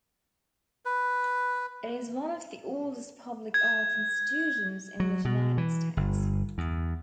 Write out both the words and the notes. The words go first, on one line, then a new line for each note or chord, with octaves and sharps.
It is one of the oldest public arts institutions in the United States.
B4
G#6
F#3
B2
E3
G1
E2